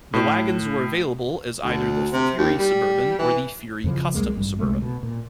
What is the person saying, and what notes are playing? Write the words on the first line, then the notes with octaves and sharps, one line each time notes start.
The wagons were available as either the Fury Suburban or Fury Custom Suburban.
A2
D2
C3
D#2
G3
E3
F2 C#3 E3 F3
C2 G3 G#3 A#3
A1 G2 G3
C2 C3 G#3 A3
B2
A#2